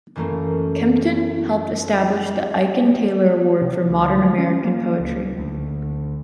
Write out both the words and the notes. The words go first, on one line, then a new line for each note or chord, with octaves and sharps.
Kempton helped establish the Aiken Taylor Award for Modern American Poetry.
F#2 E3 A3 A#3 C#4
C3
D2
G#3
C#4
A#3
C#2
D2